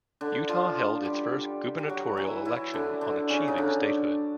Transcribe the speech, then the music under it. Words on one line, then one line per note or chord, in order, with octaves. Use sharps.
Utah held its first gubernatorial election on achieving statehood.
D3 D4
F3 F4
G3 G4
G4
F#3 F#4
E3 E4
E3 E4
D3 D4
D3 D4
C#3 C#4
D#4
D3 D4